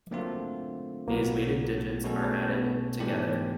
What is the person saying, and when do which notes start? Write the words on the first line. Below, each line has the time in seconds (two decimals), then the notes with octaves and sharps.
These weighted digits are added together.
0.11 D3 F#3 A3 A#3 C4 F4
1.08 B1 B2 F#3 A#3 B3
2.04 B2 G#3 A3 C#4 F#4 A4
2.52 B3
2.99 G#2 E3 A3 D4 G4